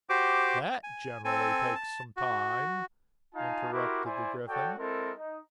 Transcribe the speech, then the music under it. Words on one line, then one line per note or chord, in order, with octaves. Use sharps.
'THAT generally takes some time,' interrupted the Gryphon.
F#4 G4 C5 D6
G#5
C4 A4 G#5
A5
F#4
D#4 F4 F5 G#5 A5
E4 F#4 G4 A#4 C6 D6
E4 C5 D5 G#5
F#4 A4 C#5 D5 G5
G#3 C4 E4 A4 A#4
D#4